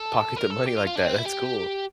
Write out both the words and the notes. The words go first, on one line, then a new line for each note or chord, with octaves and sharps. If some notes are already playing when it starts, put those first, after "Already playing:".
Pocket the money like that, that's cool.
Already playing: A4
A#4
A4
G4
F4
F4
D4
C4
E4
G4